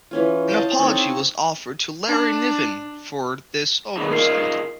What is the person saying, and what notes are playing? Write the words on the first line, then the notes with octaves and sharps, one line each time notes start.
An apology was offered to Larry Niven for this oversight.
E3 C#4 F4
C5 D#5 F5 A5
C4 D#4 A4 C#5
D4
D#3 B3 D#4 G#4
D#4 F4 G#4 A#4 C7